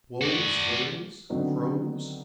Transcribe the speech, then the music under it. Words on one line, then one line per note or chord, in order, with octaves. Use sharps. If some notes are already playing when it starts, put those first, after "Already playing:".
Wolves, whales, crows?
F#4 D5
D3 D#3 F#3 B3 C4 D#4